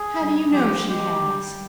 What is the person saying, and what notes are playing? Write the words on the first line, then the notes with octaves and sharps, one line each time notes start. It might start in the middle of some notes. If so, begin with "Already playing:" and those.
"How do you know she has?"
Already playing: G#4
G3
F3 G4
G#3 G4
G3